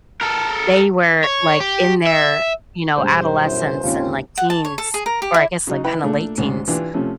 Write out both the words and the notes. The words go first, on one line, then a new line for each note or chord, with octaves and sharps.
they were, like, in their, you know, adolescence and, like, teens, or I guess, like, kinda late teens,
A4 A#4
C#5
G4
E5
E1 G2 C5
B1 F#2 E3
G#1 D#2 C#3 C4 C#4 F4
F#5
A5
C#5
A4
G#4
A#4
G4
E4
C#3 F#3 D#4
E4 B4 G5 B5
A#2 A3 D4
D2 G#2 C#4
E3 D4 F4 G4
C3 F3 A3 C#4